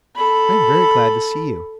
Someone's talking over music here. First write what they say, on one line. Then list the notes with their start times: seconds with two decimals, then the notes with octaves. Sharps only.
"I am very glad to see you."
0.16 A4 B5